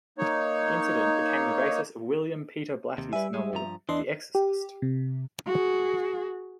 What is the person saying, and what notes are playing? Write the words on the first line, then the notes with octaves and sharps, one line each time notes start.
The incident became the basis of William Peter Blatty's novel, "The Exorcist".
A#3 D#4 C#5
D#2 C3
G3 B4 E5 G#5
G#3
G2 F3 A#5
E2 E3 D4 D#5 C6
G4
C3
F#4 G#4